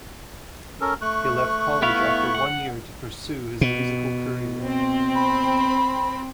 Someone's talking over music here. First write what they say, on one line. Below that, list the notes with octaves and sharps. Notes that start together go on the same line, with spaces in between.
He left college after one year to pursue his musical career.
C#4 A4 A#4
A3 C#6 F#6
B3 E4 F5
F#5
B2
C4
B5